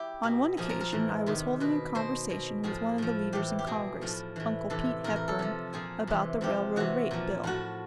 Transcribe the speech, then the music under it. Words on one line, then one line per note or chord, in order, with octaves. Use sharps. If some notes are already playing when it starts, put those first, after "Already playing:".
On one occasion I was holding a conversation with one of the leaders in Congress, Uncle Pete Hepburn, about the Railroad Rate Bill.
Already playing: E4 G4
B2
A#2 F3 G#4
A#4
A#4
A2 E3
C3 D#3
B2 B4
B2 C5
B2
A2 F3 G#4
A2 F3
A2 E3 G4
G4
B2 G#4
A2 F3
A2 E3
C3 E3 A4
A2 E3 A#4
A#4
A4
C3 F3
A#2 F3 G#4
C3 E3
C3 F3 G4
C3 E3 F#4
A#2 F3
A2 F3 F#4